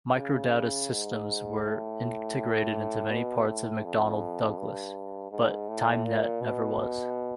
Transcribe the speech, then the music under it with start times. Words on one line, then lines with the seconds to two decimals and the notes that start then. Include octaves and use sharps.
Microdata's systems were integrated into many parts of McDonnell Douglas, but Tymnet never was.
0.17 C#3
0.91 G#2
1.64 A2
3.11 B2
3.48 A2
3.84 F2
4.58 G2
5.31 G#2
5.68 A2
6.05 A#2
6.41 B2